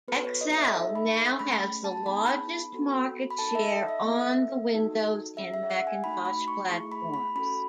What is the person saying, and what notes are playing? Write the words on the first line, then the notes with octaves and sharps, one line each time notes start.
Excel now has the largest market share on the Windows and Macintosh platforms.
B3 F#4 A4 B4
C#5
D#5
E5
D#4 A4 E5
B5
A3 C#4 G#4 B5
A5
B3 D#4 G#4 B5
B3 F#4 A4
B5
D#4 A4 A5
E5
D#5
E5
B3 E4 A4
D#4 F#4 A4
C#4 G#4 E5
E5
F#5
G#5
A3 D#4 F#4 B5
B5
C#6
A3 E4 G#4 C#6
B5
B5
C#4 F#4 A4 B5